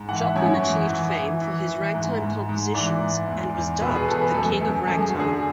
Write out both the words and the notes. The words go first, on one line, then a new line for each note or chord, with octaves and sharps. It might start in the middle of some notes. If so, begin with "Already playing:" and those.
Joplin achieved fame for his ragtime compositions and was dubbed the "King of Ragtime".
Already playing: G#2
E3 F#5
E5
F#2 C#5
C#5
E3
E3
E3
E3
E3
G#2
G#2
G#2
E3 D5
G#2
E2
E2
B2 B4
G#4
E2 A4
B4
F#2 A4
F#2
F#2 A4
G#4
F#4
D3 G#4